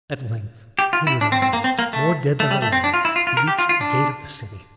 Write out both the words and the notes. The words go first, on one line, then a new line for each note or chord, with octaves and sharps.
At length, he knew not how, more dead than alive, he reached the gate of the city.
G4
F4
E4
D4
C4
C4
A#3
C4
A#3
A3
A3
G3
A3
C4
D4
F4
E4
F4
F4
A#4
G4
F4
F4
D4